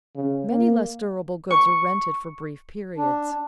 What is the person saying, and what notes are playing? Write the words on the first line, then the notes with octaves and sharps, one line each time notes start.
Many less durable goods are rented for brief periods.
C#3
A#3
C#6
D4